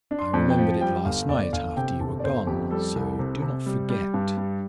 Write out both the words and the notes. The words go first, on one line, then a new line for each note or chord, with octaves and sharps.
I remembered it last night after you were gone, so do not forget.
D4
C6
F2
G5
F3
G3 G5
G1 F5
G1 D5
G1 F5
C3 G5
G1 A5
D5
G1 C5
F2 G4
G3 A4
C2
C3
C3
G3
G3
G2
G3